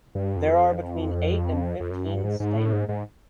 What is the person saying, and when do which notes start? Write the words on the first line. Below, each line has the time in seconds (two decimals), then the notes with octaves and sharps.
There are between eight and fifteen stamens.
0.15 G2
0.36 F2
1.80 F2
1.90 F#2
2.07 G2
2.24 G#2
2.40 G#2
2.55 A2
2.73 G#2
2.89 G#2